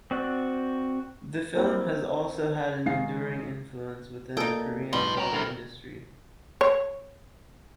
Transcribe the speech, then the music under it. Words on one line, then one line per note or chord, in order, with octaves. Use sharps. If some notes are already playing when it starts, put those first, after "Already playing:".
The film has also had an enduring influence within the Korean film industry.
C4 F#4 D5 F#6
A#3 C4 E4 G5
D#3 G#3 F5 C7
A#2 D#4 G#4 A4 G5
A1 E2 B2 F3 G3
C#4 G4 A#4
D3 C4 E4 A#4
C#5